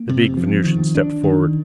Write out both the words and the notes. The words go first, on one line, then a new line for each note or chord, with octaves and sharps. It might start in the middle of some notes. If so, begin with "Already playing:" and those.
The big Venusian stepped forward.
Already playing: A#3
C3
F3
D#3
D4
D#3